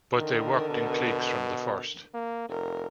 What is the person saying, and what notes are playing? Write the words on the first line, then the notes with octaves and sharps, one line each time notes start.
But they worked in cliques from the first.
D3 D#3 A#4
B2
A#3
F1 A#4